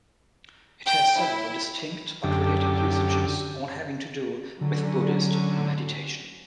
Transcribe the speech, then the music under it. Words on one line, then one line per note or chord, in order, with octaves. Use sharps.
It has several distinct but related usages, all having to do with Buddhist meditation.
G5
E4
F#2 D3 G4
D3 F#3 C#4